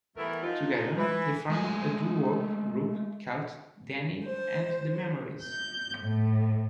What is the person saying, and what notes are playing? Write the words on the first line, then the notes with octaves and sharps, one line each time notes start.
Together they formed a doo-wop group called Danny and the Memories.
E3 G3 A3 B3 E4 A#4
F3 D#4 F4
E3 B4
G#3 A3 G#5
C5
G6
A2